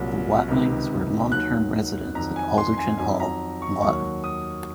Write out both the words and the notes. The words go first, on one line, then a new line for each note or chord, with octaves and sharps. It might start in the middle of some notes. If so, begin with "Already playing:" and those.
The Watlings were long-term residents at Alderton Hall, Loughton.
Already playing: C2 A#2 F#3
C#2 C3 D#3
D#2 D#3 F#3 F#6
F2 D#3 F#3 A#5
G#5
C6
G#5
F2 D#3 F#3 G#5
A#5
C#6
D#2 D#3 F#3 C#6
D#6